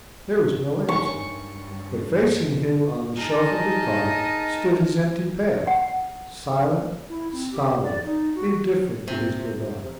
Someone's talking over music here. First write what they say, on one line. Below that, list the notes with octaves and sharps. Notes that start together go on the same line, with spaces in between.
There was no answer; but facing him on the shelf of the car stood his empty pail, silent, stolid, indifferent to his bravado.
G2 C#6
D#4 G#4 A#4 D#5 A5
F#5
E4
C4
G4
D5
D#4
F#4
C3